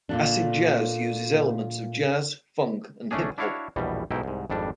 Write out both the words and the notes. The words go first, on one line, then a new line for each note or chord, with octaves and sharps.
Acid jazz uses elements of jazz, funk and hip-hop.
A#2 A3 D4
B1 A3 C#4 D4 G#4
D4 E4 F#4 C#5 F5
A#1 E2 B2 G3
B1 G#2 B2 D#4 E4 G5
C2 G#2
G#1 F2 G3 D4